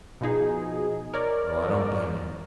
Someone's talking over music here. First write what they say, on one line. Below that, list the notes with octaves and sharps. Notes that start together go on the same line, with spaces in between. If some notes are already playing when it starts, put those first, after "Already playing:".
Well, I don't blame you.
B2 F3 D#4 G#4
A#4 C#5 D5